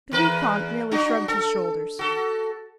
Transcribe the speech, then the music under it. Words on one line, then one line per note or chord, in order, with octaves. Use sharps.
The vicomte merely shrugged his shoulders.
E2 A#4 B4
D4 F#4
A4
F#4 A4